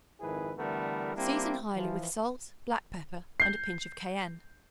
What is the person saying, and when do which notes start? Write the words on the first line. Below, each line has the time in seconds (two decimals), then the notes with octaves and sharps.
Season highly with salt, black pepper and a pinch of cayenne.
0.21 G#1 F2 D#3 E4 G#4 B4
0.58 D3 E3 G3 A3 B3 A#4
1.16 G3 A#3 C4 D4 E4 G4
1.74 E3 F3
3.40 G6 C7